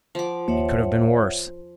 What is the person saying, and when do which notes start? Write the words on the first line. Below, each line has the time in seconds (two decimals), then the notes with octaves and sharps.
It could have been worse.
0.15 F3 F#5 D6
0.48 D#2 C#5 E5 F#5